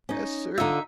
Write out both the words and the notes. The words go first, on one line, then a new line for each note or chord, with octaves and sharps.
"Yes, sir."
C#4 D#4
D3 D#4 F4 E5